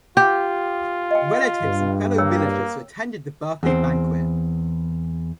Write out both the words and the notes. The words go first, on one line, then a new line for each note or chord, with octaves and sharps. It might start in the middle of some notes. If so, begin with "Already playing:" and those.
Relatives and fellow villagers attended the birthday banquet.
F4 G4
D#5 G5
G2
A#3 C#5 G5 E6
E2 C4